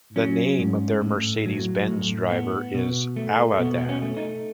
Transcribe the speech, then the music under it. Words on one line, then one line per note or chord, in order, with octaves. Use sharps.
The name of their Mercedes Benz driver is Allahdad.
F#3 C#4
G#2
A2
F#3
A2
B3
B2
A3
B2 B3
B3
C#4
A3
D#4